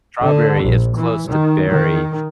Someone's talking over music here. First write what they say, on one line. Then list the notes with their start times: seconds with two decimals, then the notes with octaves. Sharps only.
strawberry is close to berry,
0.21 D3
0.65 A#1
0.97 E3
1.27 D#3
1.68 D#3